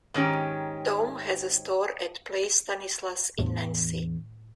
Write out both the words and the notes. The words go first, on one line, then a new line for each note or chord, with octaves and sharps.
Daum has a store at Place Stanislas in Nancy.
G#2 D#3 C#4 G4
E2 A2 D4